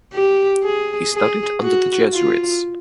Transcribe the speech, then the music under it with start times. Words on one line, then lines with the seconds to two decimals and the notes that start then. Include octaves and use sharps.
He studied under the Jesuits.
0.14 G4
0.64 G#4
1.12 G#4
1.62 F#4
2.13 F4